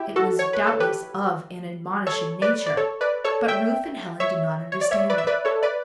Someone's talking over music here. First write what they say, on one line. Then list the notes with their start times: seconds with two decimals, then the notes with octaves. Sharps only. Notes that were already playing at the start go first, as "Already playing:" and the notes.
It was doubtless of an admonishing nature, but Ruth and Helen did not understand it.
Already playing: E4 G4
0.16 F#4 A4
0.39 C#5
0.53 B4
0.67 A4
0.80 G4 B4
2.07 A4 C#5
2.42 B4 D5
2.66 D5
2.77 A4 C#5
3.01 B4 D5
3.24 A4 C#5
3.48 E5 G5
4.20 C#5 E5
4.72 C#5
4.81 D5
4.91 C#5 E5
5.10 B4 D5
5.18 E5
5.27 B4 D5
5.45 A4 C#5
5.63 B4 D5